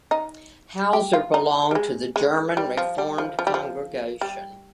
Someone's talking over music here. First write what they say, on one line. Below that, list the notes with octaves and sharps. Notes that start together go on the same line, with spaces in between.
Hauser belonged to the German Reformed congregation.
D#4
G4
F4
D#4
G3
G#3
G#3
G3
F3
G3
F3
F3
G3
F3
G3